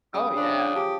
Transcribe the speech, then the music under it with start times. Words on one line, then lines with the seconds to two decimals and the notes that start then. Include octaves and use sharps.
Oh, yeah.
0.14 C#3 G3 D#6
0.36 F3 D4
0.75 G4 A5 D6